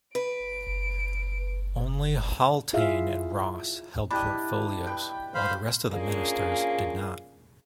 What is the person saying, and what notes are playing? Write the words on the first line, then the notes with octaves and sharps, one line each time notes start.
Only Haultain and Ross held portfolios while the rest of the ministers did not.
B4 D7
E4 F4 G#4 E5 F5
D4 E4 G4 D#5 B5
B4 G5
C5 F5 B5
A#3 C#4 D4 F4 G#4